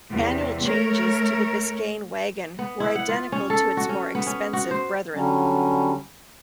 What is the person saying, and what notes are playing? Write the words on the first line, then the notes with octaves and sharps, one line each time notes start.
Annual changes to the Biscayne wagon were identical to its more expensive bretheren.
E2 C3 G3
A3 A#4 C#5
B3
E4
F#5
F4
C#4
A4
F#4
C#4
B3
C#4
F#4
C5
D3 F#3 G3 C#4